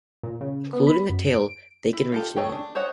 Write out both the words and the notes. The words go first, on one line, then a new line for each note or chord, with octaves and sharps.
Including the tail, they can reach long.
A#2
C#3
B3
B5
F#2
D7
E4
F4 G4 A4
A3 G#4 A4 C#5 G5
D4
C5 C#5 D#5 F#5